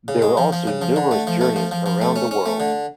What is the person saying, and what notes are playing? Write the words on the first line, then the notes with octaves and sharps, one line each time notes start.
There were also numerous journeys around the world.
C#3
G#3
F3
F3
C#3
F3
D3
A3
F3
A3
F3
F3
F3
A3
C#4
C#4
A3
D3